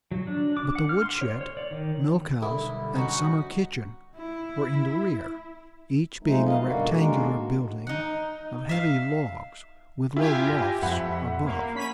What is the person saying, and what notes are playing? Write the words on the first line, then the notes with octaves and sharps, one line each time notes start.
But the wood-shed, milk-house and summer kitchen were in the rear, each being a rectangular building of heavy logs, with low lofts above.
F#3
D4
D6
F#5
F6
C6
C#5
C#5
D5
D#3
B1 D3 G3 E4 A4 A#4
C#4 D#4 F#4
E4
F3 F#3 G#3 A3 D#4
C3 B3 F4 D#5 F5
F#2 B2 D3 G3 A#3 F#4
D#3 G#3 A#3 D4 F#4 A#4
D#4 F#5
E5 F5
E4 F4 G4 G#5
A#6
F2 E5 F#5 B5
A#3
C#4 B5 B6